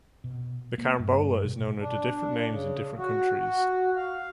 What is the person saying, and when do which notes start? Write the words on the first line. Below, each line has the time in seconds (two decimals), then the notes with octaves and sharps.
The carambola is known under different names in different countries.
0.24 B2
0.78 A#3
0.99 G2
1.45 B2
1.80 D4
2.48 C#3
2.98 F#4
3.38 F#4
3.96 F5